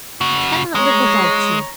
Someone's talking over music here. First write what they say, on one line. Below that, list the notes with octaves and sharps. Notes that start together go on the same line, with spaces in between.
I cannot live without you!
C#3 F#4
G#3 C#5 A#5